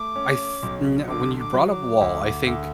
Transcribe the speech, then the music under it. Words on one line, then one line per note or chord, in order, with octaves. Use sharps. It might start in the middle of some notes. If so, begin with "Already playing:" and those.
I th kno when you brought up wall, I think
Already playing: A3 D6
C#4
B1
D3 D6
D6
F#3
D6
D2
D2